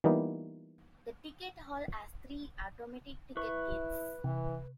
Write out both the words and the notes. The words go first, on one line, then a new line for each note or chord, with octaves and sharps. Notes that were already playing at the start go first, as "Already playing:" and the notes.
The ticket hall has three automatic ticket gates.
E3 G3 A#3 B3 D#4 F4
E4 B4 C#6
C3 E3